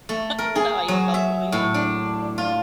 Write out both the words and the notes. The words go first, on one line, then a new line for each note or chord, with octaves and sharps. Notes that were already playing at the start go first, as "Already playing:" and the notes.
I don't know, I felt really, like
A3
A#4
G#4
F#3
E5
A2
D4
F4